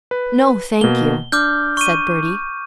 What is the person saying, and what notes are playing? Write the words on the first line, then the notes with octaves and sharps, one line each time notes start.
"No, thank you," said Bertie.
B4
B2 A#3 G7
D4 D6 F6 G6
C#6 D#7